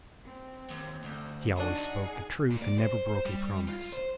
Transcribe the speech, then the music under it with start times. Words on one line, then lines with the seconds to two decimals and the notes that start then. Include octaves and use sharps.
He always spoke the truth and never broke a promise.
0.24 C4
0.70 D#2
1.04 D2
1.58 F#3 D4 D#4 G#4 F#5
2.50 A#2
2.62 D5
2.78 C5
3.25 G3
3.68 F4
3.93 C5